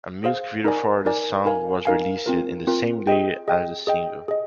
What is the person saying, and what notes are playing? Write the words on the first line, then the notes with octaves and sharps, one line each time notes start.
A music video for the song was released the same day as the single.
G#4 C5 F5
D#4 A#4 D5 G#5
D#4 A#4 D5 G#5
D#4 A#4 F5 G#5
D#4 A#4 F5 G#5
C4 F4 A#4
C4 F4 A#4
G#4 D#5 G5
G#4 D#5 G5
G#4 D#5 G5
G#4 D#5